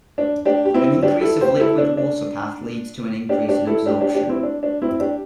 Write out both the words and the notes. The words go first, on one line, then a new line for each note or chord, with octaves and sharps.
An increase of liquid water path leads to an increase in absorption.
D4
D4 G4
G4
C4 E4
D4 G4
E4 A4
G4 C5
E4 A4
D4
D4
D4 G4
D4 G4
E4 A4
D4 G4
D4 G4
D4 G4
C4 E4
D4
D4
C4 E4
D4 G4